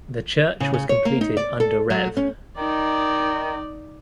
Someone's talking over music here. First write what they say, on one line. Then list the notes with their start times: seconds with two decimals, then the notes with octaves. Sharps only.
The church was completed under Rev.
0.60 C#3
0.74 C#3
0.89 C#5
1.05 A#3
1.21 D#4
1.37 D5
1.60 A4
1.90 F#3
2.17 C#4
2.57 D#3 D#4 D5